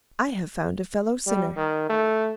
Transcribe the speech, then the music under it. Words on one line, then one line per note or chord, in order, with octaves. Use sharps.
"I have found a fellow-sinner."
G3
D#3
A3